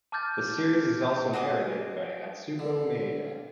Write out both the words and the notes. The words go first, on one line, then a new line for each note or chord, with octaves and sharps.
The series is also narrated by Atsuko Maeda.
A5 D6 F6 G6 A6
F#4 G#4 D#5 D6
D3